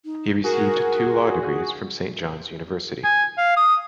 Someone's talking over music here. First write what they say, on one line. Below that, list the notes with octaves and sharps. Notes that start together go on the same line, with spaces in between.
He received two law degrees from Saint John's University.
D#4
F#4 G#4 A#4
G#5
F5
D#6